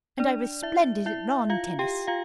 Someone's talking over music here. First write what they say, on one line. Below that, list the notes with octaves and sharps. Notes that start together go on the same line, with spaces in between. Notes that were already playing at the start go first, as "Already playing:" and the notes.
"And I was splendid at lawn tennis."
D4 D5
E4 E5
E4 E5
F4 F5
G4 G5
F4 F5